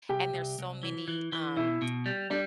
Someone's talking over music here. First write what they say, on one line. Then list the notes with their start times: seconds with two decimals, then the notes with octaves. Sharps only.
And there's so many, um
0.09 C2 G4 G5
0.34 C2
0.59 C2
0.83 E3
1.08 E3
1.32 E3
1.57 B2 E4 E5
1.82 B2
2.06 G3
2.30 G3 D4 D5